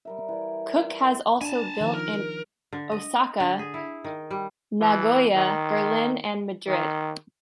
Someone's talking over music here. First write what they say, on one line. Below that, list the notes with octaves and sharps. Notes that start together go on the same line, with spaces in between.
Cook has also built in Osaka, Nagoya, Berlin and Madrid.
G3 A#4 E5
E3 D5
D4 G#5 A5
D#3 F3
A#4
D3
D#5
D3
G#4
E4
D#3
G3
E3
D#3
D#3